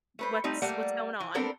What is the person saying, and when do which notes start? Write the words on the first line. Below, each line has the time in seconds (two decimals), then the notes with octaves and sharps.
what's what's going on.
0.19 A3 B4 C5
0.44 G3 A3 C4 D#4
0.62 G3 A3 A#3 D5 F#5
1.20 E3
1.35 B3 C4 D4 A4 A#4